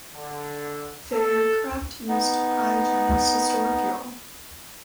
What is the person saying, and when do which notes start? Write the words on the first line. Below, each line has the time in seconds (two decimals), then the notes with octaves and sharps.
The aircraft used cryogenics to store fuel.
0.13 D3
1.13 A4
2.09 B3 D#4